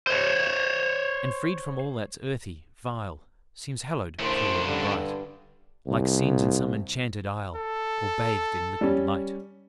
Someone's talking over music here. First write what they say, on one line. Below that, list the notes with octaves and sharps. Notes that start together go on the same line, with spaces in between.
"And freed from all that's earthy, vile, Seems hallowed, pure and bright, Like scenes in some enchanted isle, All bathed in liquid light."
C5 C#5
A2 C#3 D4 A#4 C5
G2 D3
C2
A4
G3 C#4